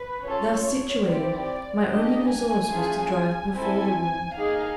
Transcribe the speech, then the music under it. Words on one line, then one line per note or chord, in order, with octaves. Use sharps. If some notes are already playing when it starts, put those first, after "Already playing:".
Thus situated, my only resource was to drive before the wind.
Already playing: B4
C#4 F4 A4 C#5
C4 E4 G4 D5
A#3 D4 G4 D#5
G#5
A3 C#4 F4 G#4
C4 E4 A4 G#5
A#3 D#4 G#4 F5